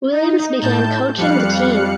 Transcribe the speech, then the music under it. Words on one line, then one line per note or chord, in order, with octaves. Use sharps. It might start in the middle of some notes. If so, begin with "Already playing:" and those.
Williams began coaching the team.
D#4
A2 A5 G6
F2 G3 F5 F#6 C#7